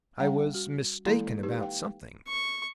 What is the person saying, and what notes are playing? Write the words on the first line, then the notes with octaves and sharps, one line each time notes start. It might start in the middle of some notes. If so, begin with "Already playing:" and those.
I was "mistaken" about something.
G3 C#4 F#5 G5 A#5
F#4
E3 G#3 A#3 E4 A4 A#5
D#4 G4 B4
F5 G5
C#6